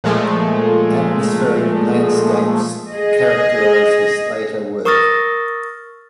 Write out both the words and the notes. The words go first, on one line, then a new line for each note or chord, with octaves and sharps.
Atmospheric landscapes characterize his later work.
A#2 F3 G#3 A3
G#4 D#5
A#4 C#6 D#6 F6 A6 A#6